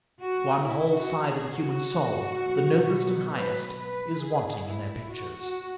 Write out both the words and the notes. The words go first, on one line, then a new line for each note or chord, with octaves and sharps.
One whole side of the human soul, the noblest and highest, is wanting in their pictures.
F#4
E4
F#4
G#4
F#4
B2 F#3 B3
B4
B4
G#4
E4
F#4
F#4